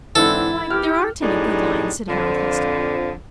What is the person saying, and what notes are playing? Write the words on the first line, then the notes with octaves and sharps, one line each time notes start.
"Why, there aren't any good lions," said Harold, hastily.
G#2 D3 E3 C4 E4 A4
G4 F6
F#2 A2 G3 D4 D#4 G#4
F2 D3 F3